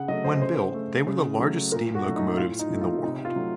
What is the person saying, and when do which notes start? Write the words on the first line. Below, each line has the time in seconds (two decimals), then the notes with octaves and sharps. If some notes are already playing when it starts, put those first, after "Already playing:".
When built, they were the largest steam locomotives in the World.
Already playing: C#3 F#5
0.08 F#3 A3 D#5
0.24 C5
0.41 C#3 C5
0.74 A3
1.07 C#3
1.39 F#3 A3
1.72 A#2 A#4
1.95 F#4
2.05 F#3 A3
2.16 D#4
2.38 A2 F4
2.59 D#4
2.71 F3 A3
2.81 F4
3.03 C3 D#4
3.25 F4
3.36 F#3 A3